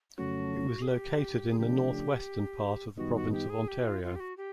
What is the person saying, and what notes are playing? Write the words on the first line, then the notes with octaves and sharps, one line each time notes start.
It was located in the northwestern part of the province of Ontario.
F2 C#3 F#3 A3 C#4 F#4
G#4
G4
G#4
C#3 F3 A3 D4 G4
F#2 D#3 G3 B3 D#4 F#4
F#4
G4
G#4
G4
F4
F4
G4
F#4
G4